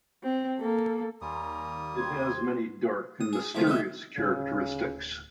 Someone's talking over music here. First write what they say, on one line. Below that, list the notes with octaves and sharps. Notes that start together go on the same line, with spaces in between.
It has many dark and mysterious characteristics.
C4
A#3 A4
D#2 G3 A#3 G#5 A#5 C6 D#6
G4 C5 C6 G#6
D#6
G#4
C#2 C3 F3 A3 E4 A#4
G4 D#5 E5
D1 C#3